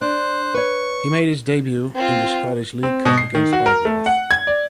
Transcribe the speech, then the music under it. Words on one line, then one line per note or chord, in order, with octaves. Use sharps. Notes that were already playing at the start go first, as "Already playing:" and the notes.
He made his debut in the Scottish League Cup against Arbroath.
D4 C5 F#6
B4 C#5 C#6
C4 F4
C4
B2
C7
D#3
F#4
A#4
A3
F#5
G#6
D5